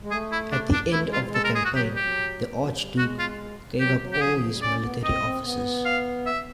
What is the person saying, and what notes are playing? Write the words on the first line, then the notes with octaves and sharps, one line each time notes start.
At the end of the campaign the archduke gave up all his military offices.
G#3
A3 G#4
E4
D4
D4
A3 E4
G#3
G3 F4
G#3
A4
A#4
G#4
F#4
F#3 G4
G3
F#3 G4
F#3
G3
G#3 F#4
F4
F#3 G4
F#3
G4
F#3 G#4
E3
F3
G3
C#4 D5
B3
C4 D#5
C4
B3
F5
E5